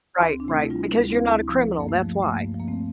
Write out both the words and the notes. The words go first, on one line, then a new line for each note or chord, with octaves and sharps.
Right, right, because you're not a criminal, that's why.
D2
C4
D4
C3 A3 C4
E4
G3 D4 F4
D2
C4 E4
D2
F3
G2 A#3
A3
F3
A3
G2 A#3
F3
A#3
A3 C4